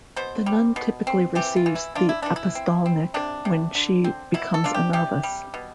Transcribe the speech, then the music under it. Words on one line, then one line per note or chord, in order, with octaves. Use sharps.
The nun typically receives the apostolnik when she becomes a novice.
B2 C5
G3
B2
C4
E3 G4
F4
E3
E4
D4 F4
E4
E3 D4
E4
C4
C4
C3 D4
C3
D3
C4
B2 E4
A4
D4 F4
G4
C3 G4
G3
B2